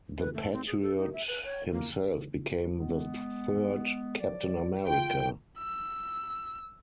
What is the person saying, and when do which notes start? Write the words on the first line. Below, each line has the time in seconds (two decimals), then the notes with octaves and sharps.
The Patriot himself became the third Captain America.
0.18 B4
0.34 A3
0.53 C4
0.66 G#4
0.81 A4
0.97 D#4
1.13 E5
1.28 B4
1.44 C#5
1.73 A#3
2.75 G#3 B3
4.19 F3 F#3 D5
4.86 F4 G5
5.58 E6